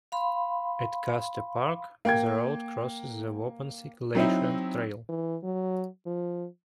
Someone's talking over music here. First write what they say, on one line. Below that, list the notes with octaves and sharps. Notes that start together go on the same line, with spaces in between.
At Custer Park, the route crosses the Wauponsee Glacial Trail.
F5 B5 C6
A#3 G5 G#6
F#3 C4 D#4 E4
E3
F#3
F3